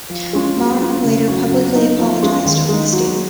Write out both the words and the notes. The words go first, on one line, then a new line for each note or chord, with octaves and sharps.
Maher later publicly apologised over the statement.
F3
G#3 C#4 F4
F#3
C#4 F4
C#3
F#3 C#4
F#3
B3 D#4
F3
G#3 C#4 F4
D#3
G#3 D#4
F#3